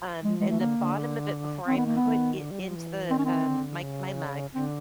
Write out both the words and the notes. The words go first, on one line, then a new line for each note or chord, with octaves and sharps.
Um, in the bottom of it, before I put it into the, um, my c my mug,
F3 G#3
E3 G#3
A3
D3 A#3
D3
D#3 C4
B3
A#3
B3
D#3
D3
G3
F#3
F3
E3
D#3 C4
C#4
C4
D3
C#3
D3 C4